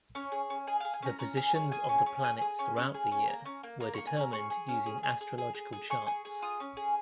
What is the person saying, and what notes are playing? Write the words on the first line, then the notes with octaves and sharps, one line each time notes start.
The positions of the planets throughout the year were determined using astrological charts.
C#4 C#5
G#4
C#4
G#4 D#5
G#4 F5
G#5
C#4 A#5
C#4 A#5
G#4
C#4
G#4 G#5
C#4
G#5
C#4
G#4 G#5
G#4
C#4
C#4
G#4
C#4
A#3 A#5
C#4
A#3
A#3 A#5
A#3 C#6
G#5
C#4 A#5
G#4 C#6
G#4
C#4
G#4
G#4
G#4
G#4
G#4
G#4
G#4 C#6
G#4
G#4
F4 D#6
C#4
G#4